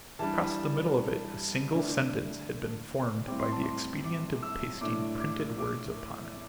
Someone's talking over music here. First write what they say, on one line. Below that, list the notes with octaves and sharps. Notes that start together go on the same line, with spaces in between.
Across the middle of it a single sentence had been formed by the expedient of pasting printed words upon it.
E3 G3 D4 A5
D3 A3 D4
A2 G3 C4 D6
C6
A5
C6
D6
E6
A2 A3 D4 D6
D6
D6